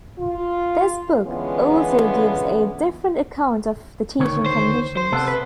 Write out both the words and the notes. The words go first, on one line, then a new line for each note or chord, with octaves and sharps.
This book also gives a different account of the teaching conditions.
F4
D3 E3 G#3 B3 C#4 F4
D2 D#3 C#5
C5
C5
C3 B3 A4
B4